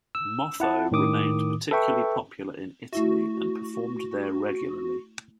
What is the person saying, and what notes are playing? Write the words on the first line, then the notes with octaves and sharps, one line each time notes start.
Moffo remained particularly popular in Italy and performed there regularly.
E6
E4 F#5 A5
A2 D#3 D6 D#6
A4 B4 E5 G5 C#6
A3 E4 F#4 E5